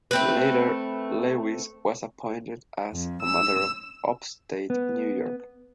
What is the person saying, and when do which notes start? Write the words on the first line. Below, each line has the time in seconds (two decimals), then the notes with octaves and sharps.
Later, Lewis was appointed as commander of upstate New York.
0.11 A3 C4 B4
2.91 F2
3.22 E6
4.70 B3